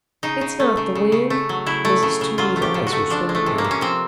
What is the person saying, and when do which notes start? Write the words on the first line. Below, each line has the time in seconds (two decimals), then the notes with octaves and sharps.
"It's not the wind." Mrs. Toomey's eyes were swimming now.
0.23 C#3 D#4
0.41 C#3
0.60 A3
0.77 C#3
0.95 C#3
1.12 C#3
1.30 A3
1.49 F#3
1.66 C#3 E4
1.85 A3
2.03 C#3
2.21 C#3
2.38 F#3 F4
2.56 A3
2.62 G4
2.74 C#3
2.87 F#4
2.93 A3
3.10 F3 D4
3.29 G#3
3.35 A3
3.46 C3
3.58 A#3
3.64 C3
3.71 C#4
3.81 F3 C4